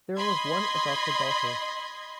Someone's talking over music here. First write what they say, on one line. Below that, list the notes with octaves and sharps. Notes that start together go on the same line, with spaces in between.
There was one adopted daughter.
D#5 B5 C6 G#6